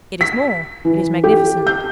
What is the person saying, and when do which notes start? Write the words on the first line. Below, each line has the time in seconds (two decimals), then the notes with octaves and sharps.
"It is more--it is magnificent."
0.21 B6
0.85 E3
1.24 G4
1.67 G6